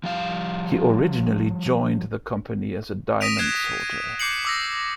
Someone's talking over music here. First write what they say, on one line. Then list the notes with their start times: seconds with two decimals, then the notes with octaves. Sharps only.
He originally joined the company as a diamond sorter.
0.03 F3 G3 F5
3.21 D#6 A#6 B6 D7 D#7 F7
3.37 F#6 G#6 C7 E7
3.80 D#7
4.20 D6 G6 C7 C#7 F#7
4.45 D6 E6 A#6